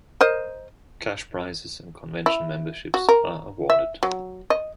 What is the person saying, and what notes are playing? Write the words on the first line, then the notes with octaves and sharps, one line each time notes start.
Cash prizes and convention memberships are awarded.
A#4 C5 D#5
E4
F#4
A#4
E5
F#3
D#5